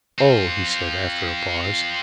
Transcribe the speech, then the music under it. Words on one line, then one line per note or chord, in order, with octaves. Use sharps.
"Oh!" he said after a pause.
C4 F4